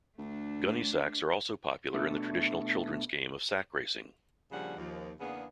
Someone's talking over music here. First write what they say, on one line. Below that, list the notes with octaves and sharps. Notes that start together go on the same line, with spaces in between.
Gunny sacks are also popular in the traditional children's game of sack racing.
D2 A3 D4
B2 A3 D4 E5
A#2 C#3 F3 G3 D4 F#5
D#2 F3
E2 C#3 A#3 B3 D4 G#4